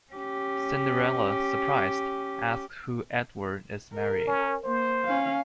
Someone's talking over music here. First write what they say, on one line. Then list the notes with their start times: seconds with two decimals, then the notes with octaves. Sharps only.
Cinderella, surprised, asks who Edward is marrying.
0.13 C#4 G4
3.94 A#4
4.27 C#4
4.65 A#3 C5
5.05 C#4 F5